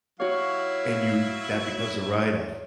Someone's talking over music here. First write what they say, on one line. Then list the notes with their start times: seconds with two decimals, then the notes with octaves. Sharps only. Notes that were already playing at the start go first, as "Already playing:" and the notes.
and you get that because of write-off.
0.20 F#3 E4 F#4 C#5 F5